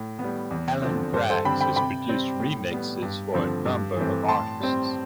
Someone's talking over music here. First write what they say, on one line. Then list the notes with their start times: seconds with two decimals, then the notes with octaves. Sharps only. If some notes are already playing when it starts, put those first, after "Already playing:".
Alan Braxe has produced remixes for a number of artists.
Already playing: A2
0.19 B3
0.24 G3
0.51 E2
0.82 D3 F3 C4
1.13 G2 A4 C5
1.30 A4 C5
1.45 D3 G3 C4 G5 B5
1.61 G5 B5
1.76 C3 G5 B5
2.08 G3 C4
2.40 A2
2.71 G3 B3
3.02 G2
3.34 D3 F3 C4
3.66 G2
3.97 E3 A3 C4
4.28 A2 A5 C6
4.60 G3 C4